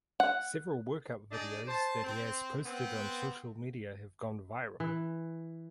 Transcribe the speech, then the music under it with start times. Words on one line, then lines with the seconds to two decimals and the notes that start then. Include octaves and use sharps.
Several workout videos that he has posted on social media have gone viral.
0.20 F#5
1.31 D4 D#4 G#4 D5 D#5
1.67 C5 A5
2.04 C4
2.65 B3 C4
4.80 E3